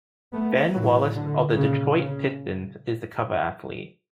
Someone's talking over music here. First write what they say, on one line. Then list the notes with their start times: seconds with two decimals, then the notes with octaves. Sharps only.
Ben Wallace of the Detroit Pistons is the cover athlete.
0.33 A3 B3
0.74 A2 E3 F#3
1.15 D3
1.56 A#2 C#3
1.97 C#3